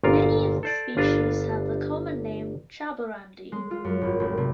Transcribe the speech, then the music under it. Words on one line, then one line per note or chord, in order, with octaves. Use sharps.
Many of the species have the common name jaborandi.
G1 A#2 F4 A#4 F5
A4 C5 D5
G1 D4 F4 B4 A#5
G#3
F4
F#2
G#1
F1
C3